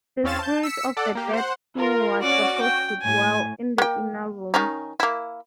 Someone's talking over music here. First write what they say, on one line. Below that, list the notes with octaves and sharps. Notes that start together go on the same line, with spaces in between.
The spirit of the dead king was supposed to dwell in the inner room.
E2 C4 C#4 F5 A6 E7
A5 G6
E6 B6 C#7
A4 D5 F#5
A#3 G4
C5 F#5
F4 A#4
C#4 F#4 D5 F#5 D6
G5
A2 G#5
A#3 G5
D#3 C#4 D#4
A#3 E4